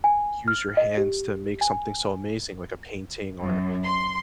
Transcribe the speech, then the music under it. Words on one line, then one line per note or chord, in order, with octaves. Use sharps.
use your hands to make something so amazing, like a painting or,
G#5
F6
D#5
G4
G#5
F#2
C6